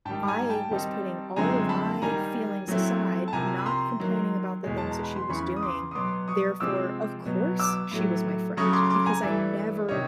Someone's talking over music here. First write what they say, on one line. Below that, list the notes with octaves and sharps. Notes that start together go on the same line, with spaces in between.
I was putting all of my feelings aside, not complaining about the things that she was doing. Therefore, of course, she was my friend because I never
G#2 D#3 G3 G5 A5
G#5 A#5
G5 A5
D#3 G3 C4 D#4
F#2 D3 F3 G#3 C4 G#5 A#5
A5 B5
D#3 G3 A#3 G#5 A#5
A#2 F#3 A3 C4 E4
A5
C3 F3 A#3 G#5 A#5
B5
A#5 C6
D#3 F#3 A#3
E2 B2 G#3
A5
A#5
B5
C6
E2 C#3 E3 B5 C#6
D#6
C6 D6
D#6
B2 F#3 B3 C6 D6
C#6 D#6
C3 F3 G#3 C4 D6 E6
B2 F#3 B3
D6 E6
A2 F#3 A3
C#3 F#3 A3 C#4 C#6 D#6
C6 D6
C6 D6
G#5 A#5
G2 E3 A3 D5 E5
C3 D#3 C#5 D#5